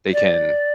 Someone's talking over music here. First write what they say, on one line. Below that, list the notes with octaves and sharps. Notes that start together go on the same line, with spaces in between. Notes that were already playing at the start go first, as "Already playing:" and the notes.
they can
D5